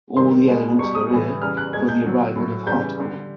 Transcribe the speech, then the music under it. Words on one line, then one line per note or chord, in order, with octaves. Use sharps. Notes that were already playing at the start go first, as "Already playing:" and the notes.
All the elements were here for the arrival of hardcore.
C3 D#3 G3 C6
B2 G#3
B2 G3 C#6
D#6
A2 E3 G3
C#3 E3 G3 F6
F#6
B2 G#3 G#6
G6
D3 F#3
A2 F#3
C#3 E3 G3 G6
D3 G3